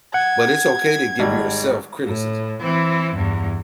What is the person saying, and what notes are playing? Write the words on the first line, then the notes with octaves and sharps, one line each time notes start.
but it's okay to give yourself criticism,
F#5 G#6
G#1 G3
A2
E3 C4
E2 G2